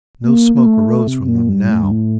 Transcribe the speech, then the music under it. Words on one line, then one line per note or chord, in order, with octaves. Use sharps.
No smoke arose from them now.
A#3
A#3
A3
C3
C3
A#2
G2
A2
G2
A2